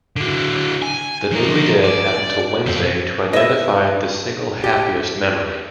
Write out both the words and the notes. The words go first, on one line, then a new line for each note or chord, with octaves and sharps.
The newly-dead have until Wednesday to identify the single happiest memory.
D3 F#3
G#5
F3 A#4
D5
F2 F3
B4 D#5 E5
G4